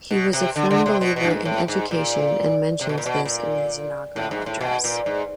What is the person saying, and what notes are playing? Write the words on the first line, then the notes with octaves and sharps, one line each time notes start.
He was a firm believer in education and mentions this in his inaugural address.
B2
C3
D3
D3
C3
B2
B2
G2
G#2
A2
G#2
A#2
C3
B2
A#2
B2
A#2
A2
G#2
A2
B2
A#2
G#2